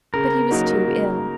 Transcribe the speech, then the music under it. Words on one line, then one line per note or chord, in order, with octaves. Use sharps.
But he was too ill.
C#3 A#4
F#3 A#3 D#4 F#4
C#3